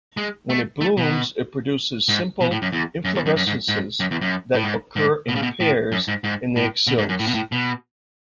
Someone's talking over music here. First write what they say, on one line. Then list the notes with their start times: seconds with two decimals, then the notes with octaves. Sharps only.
When it blooms it produces simple inflorescences that occur in pairs in the axils.
0.17 G#3
0.50 A3
0.81 A3
0.97 B2
2.09 G#2
2.41 B2
2.51 A2
2.62 F#2
2.72 E2
3.05 F#2
3.15 E2
3.26 F#2
3.36 F#2
3.47 G#2
3.68 G#2
4.00 F#2
4.11 E2
4.21 F#2
4.55 A2
4.64 G#2
4.96 G#2
5.28 B2
5.35 C#3
5.42 B2
5.60 A2
5.92 F#2
6.08 G#2
6.24 G#2
6.56 A2
6.87 B2
6.98 G#2
7.09 F#2
7.19 A2
7.27 B2
7.34 A2
7.52 B2